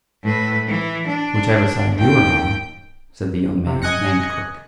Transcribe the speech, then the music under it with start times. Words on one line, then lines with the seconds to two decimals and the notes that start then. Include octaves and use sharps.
"Whichever side you are on," said the young man named Crook.
0.24 A2 B4
0.67 E3
1.07 D4
1.95 D#2 G5
3.67 C3
3.82 D#5 G#5 F#6 A#6 C#7